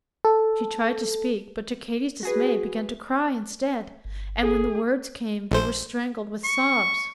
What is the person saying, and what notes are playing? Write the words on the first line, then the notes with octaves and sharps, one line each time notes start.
She tried to speak, but to Katy's dismay began to cry instead; and when the words came they were strangled with sobs.
A4
F#4 G#4 B4
G1
G#4 A4
A#1 C5
C#6